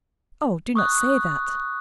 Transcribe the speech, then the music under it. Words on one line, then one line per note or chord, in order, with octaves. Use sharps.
"Oh! do not say that."
C#6 D#6 F#6